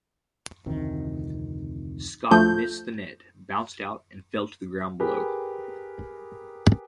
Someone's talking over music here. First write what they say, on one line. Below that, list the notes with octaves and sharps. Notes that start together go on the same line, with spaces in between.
Scott missed the net, bounced out, and fell to the ground below.
F1 D2 C3 D#3
D2 F3 A3 G6
G4 G#4 A#4 B4